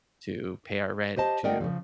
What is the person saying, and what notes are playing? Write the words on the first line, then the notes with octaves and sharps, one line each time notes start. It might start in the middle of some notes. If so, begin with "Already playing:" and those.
to pay our rent, to,
G4 C5 D#5 A5
A3 A#4 D5 D#5 F#5 G5
C#3 F3